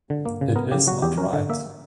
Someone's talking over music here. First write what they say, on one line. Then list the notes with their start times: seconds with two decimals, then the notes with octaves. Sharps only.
It is not right!
0.10 D3
0.25 A#3
0.41 C#3
0.56 B3 A#4
0.71 C#3 G4
0.87 F#3 F#4
1.02 E2 G4
1.18 C#4 A#4
1.33 D3
1.49 A#3 E5